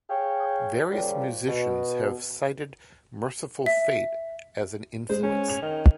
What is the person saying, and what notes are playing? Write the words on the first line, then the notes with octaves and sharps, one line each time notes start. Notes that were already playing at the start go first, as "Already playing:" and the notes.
Various musicians have cited Mercyful Fate as an influence.
G#4 C#5 F5 G5
A#2 C#3 F3 G3
B2
E5
G#3 C5
C#4
G#6 F7
D#3